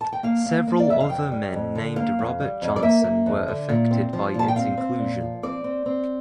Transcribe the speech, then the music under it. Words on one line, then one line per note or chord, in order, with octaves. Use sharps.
Several other men named Robert Johnson were affected by its inclusion.
A5
G5
A#3 F5
A#3
A#3
D5
F2 E5
F5
F2 G5
G3
F2
D3
A#3 F5
F2
G3
F2
D5
A#3 E5
A#3
F2
D3
A#2
C4
F3
A#2 A5
G5
C4 F5
C4
A#2
F3
C4 D5
C4
C4